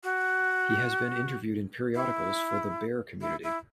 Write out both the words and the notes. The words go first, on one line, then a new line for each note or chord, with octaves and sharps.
He has been interviewed in periodicals for the "Bear" community.
F#4
E4
E4
E4